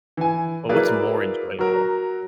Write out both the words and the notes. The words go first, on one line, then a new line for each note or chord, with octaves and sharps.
but what's more enjoyable?
E3 G#5
F#3 A#3 E4 G#4 B4 D5
F#3 F#4 A#4